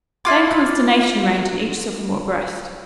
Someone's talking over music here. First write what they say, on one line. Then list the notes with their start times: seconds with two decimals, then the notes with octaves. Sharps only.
Then consternation reigned in each sophomore breast.
0.25 E4 F4 D6